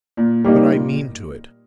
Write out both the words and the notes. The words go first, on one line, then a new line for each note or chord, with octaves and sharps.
But I mean to it.
A#2
G3 A#3 D#4
A#2